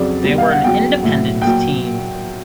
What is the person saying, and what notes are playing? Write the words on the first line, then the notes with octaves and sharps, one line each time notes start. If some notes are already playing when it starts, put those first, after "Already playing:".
They were an independent team.
Already playing: F2 C#3 F#3 D5
B2 G3
F5
F#5
E2 C#3 F#3 G5
A2 F#3
A#2 F#3 G5